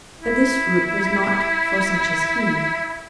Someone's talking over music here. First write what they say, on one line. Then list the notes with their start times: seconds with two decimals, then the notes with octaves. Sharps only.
But this fruit was not for such as he.
0.21 E4